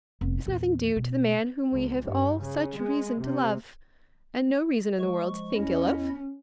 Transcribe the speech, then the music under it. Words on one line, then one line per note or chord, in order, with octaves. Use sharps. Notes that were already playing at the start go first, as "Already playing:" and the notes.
Is nothing due to the man whom we have all such reason to love, and no reason in the world to think ill of?
F1 B3
E2 A#2
B2
C#2
G2
C#3
G#3
C3
F3 G#3 C#6
E2 C#4 E4 D#5